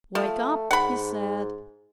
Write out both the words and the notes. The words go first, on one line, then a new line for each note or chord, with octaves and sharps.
"Wake up!" he said.
F3 A3
G#2 F#5 B5